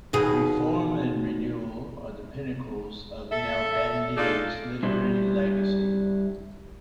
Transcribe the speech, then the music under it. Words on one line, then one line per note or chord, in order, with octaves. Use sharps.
Reform and renewal are the pinnacles of Nalbandian's literary legacy.
D#2 B2 G#4
A4 E5
D4 D#4 F4 G#4 A4 D5
G3 D4 E4 C5